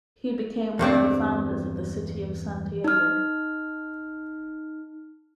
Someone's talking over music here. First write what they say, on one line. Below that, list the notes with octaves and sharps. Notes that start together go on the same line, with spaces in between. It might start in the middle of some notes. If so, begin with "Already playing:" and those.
He became one of the founders of the city of Santiago.
E2 G2 C4 D5
D#4 F6